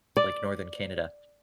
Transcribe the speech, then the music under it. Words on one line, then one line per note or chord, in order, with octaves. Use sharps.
like, Northern Canada,
D5